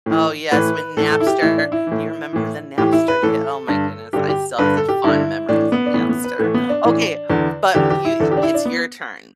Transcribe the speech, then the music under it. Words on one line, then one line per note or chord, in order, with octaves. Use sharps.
Oh, yes, when Napster do you remember the Napster day? Oh my goodness, I still have such fond memories of Napster. Okay, but you e th it's your turn.
A2 E3
A2 E3 B4
A2 E3 A4
A4
E4
G4
A2 E3 E4
D4
E4
A2 E3
A2 E3
A2 E3 G4
E4
B4
A2 E3 A4
G2 D3
G2 D3 G4
G4
G2 D3 B4
A4
G4
G2 D3 E4
A2 E3 D4
B3
D4
A2 E3 B3
B3
B4
A2 E3 A3
B3
D4
A2 E3
E2 D3
E2 D3 G4
G4
E4
E2 D3 A4
G4
D4
E4
D4
B3